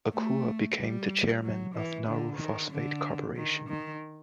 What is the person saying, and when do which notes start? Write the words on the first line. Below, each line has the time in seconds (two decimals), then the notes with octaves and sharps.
Akua became the Chairman of Nauru Phosphate Corporation.
0.14 A3
0.78 G3
1.43 F#3
1.75 E3
2.07 D3
2.39 D#3
2.71 D3
3.36 D#3
3.69 D#3